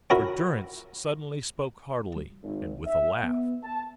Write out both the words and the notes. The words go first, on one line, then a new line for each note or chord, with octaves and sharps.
For Durrance suddenly spoke heartily, and with a laugh.
C#4 E4 F#4 A#4 A#5 B5
G#1
E5
B3
A5